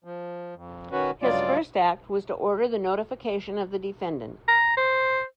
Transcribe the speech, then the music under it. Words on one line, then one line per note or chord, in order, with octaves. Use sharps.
His first act was to order the notification of the defendant.
F3
F2
D#3 C#4 F#4 B4
G2 C#3 F#3 G#3 F4 D5
A#5
C5